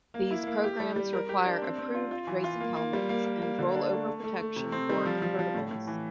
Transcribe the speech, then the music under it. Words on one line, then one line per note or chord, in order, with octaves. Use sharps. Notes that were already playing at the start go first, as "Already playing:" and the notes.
These programs require approved racing helmets and rollover protection for convertibles.
A#3
E4
A#3
G4
G3
G3
A#4
G4
D4
C4
C4
F4
F4
E3
F4
A#3
A#3
G3
A#3
A#3
A#3
D3
D4
A3
A3
A3
A3
C3
C4
G3
F3
F3
F3
A2
A2
E3